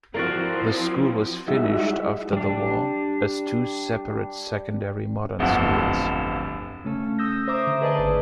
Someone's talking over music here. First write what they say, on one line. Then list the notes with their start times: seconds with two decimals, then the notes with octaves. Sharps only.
The School was finished after the war as two separate Secondary Modern Schools.
0.14 F3 C4 E4 F#4 A#4 D5 F5
1.48 G3 G#3 D#4 E4 F#4 E5
2.33 G3 D4
5.39 D1 G1 F2 F#5
6.85 C#3 A3 C#4 A4
7.19 D#6 E6 G6 A#6
7.48 C5 E5 A#5 D6 D#6
7.67 D3
7.81 G#4 B4 D5 D#5 A5 D#6
7.99 G#1